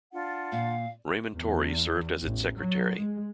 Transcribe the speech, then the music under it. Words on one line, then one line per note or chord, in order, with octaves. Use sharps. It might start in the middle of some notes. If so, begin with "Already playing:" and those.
Raymond Torrey served as its Secretary.
D4 F4 F#5
A#2 F5
E2
A1
F#3
G#3